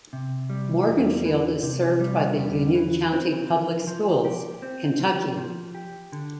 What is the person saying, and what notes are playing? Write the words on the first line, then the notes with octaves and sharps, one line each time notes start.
Morganfield is served by the Union County Public Schools, Kentucky.
C3
G3
E2
E3
C3
G3
E2
E3
C4
F3
F3
G4
C4
F3
F3
G4
D3